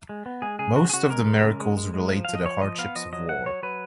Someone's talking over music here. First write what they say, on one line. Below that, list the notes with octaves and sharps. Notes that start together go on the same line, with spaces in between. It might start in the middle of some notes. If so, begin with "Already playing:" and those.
Most of the miracles relate to the hardships of war.
G#3
B3
G#3 G#4
C#3 G#4
C#3 F#4
G#4
C#3 F#4
G#3 A#4
G#3
C#3
G#3
G#3
G#3
F3
F3 F5
D#5
F3 C#5
F3 D#5
B3 F5
F3 D#5
F#3 D#5
F#3 F#5
F#3 C#5
F#3 B4